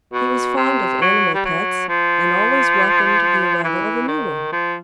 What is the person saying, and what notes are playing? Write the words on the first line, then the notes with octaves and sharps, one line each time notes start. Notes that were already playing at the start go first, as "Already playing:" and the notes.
He was fond of animal pets, and always welcomed the arrival of a new one.
B2
C3
F#3
G3
F#3
F3
E3
D#3
F3